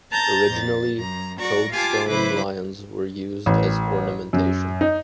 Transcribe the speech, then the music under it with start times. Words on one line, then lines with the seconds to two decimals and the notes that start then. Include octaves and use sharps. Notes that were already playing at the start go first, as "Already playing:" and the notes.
Originally, Coade-stone lions were used as ornamentation.
0.10 A5 A#5 G6 A6
0.51 F2 A6
0.95 F#2 A#5
1.38 F#4 D5 A#5 C#6
1.71 F4 G4 F5 G#5 A5 D6
2.08 C#3 F#3 E4 B4 C5 D6
3.46 A1
4.33 F#2
4.81 D#4